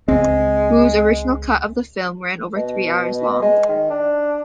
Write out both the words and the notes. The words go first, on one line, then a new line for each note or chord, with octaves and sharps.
Woo's original cut of the film ran over three hours long.
C#2 G#3 C4
B2
G#3
D#3
D4